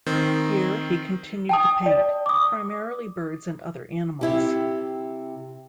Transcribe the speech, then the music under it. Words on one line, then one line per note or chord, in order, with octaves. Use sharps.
Here he continued to paint, primarily birds and other animals.
D#3 C4
G5 A5 D#6
D5
D6 D#6
C3 E4 G4